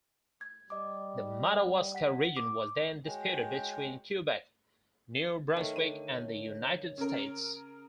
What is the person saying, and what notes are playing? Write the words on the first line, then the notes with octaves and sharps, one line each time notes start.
The Madawaska region was then disputed between Quebec, New Brunswick and the United States.
G#6
G3 D#5 D6
F#5 B6
D6
G#3 F#4 C#5 G5
D#3 A3 A#4 B4 C#5 F5
D3 A4 B5 D#7
C#3 C4 C#4 A#4